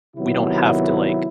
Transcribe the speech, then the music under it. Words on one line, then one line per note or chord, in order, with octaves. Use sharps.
we don't have to like
C3 D#3 F#3 B3 E4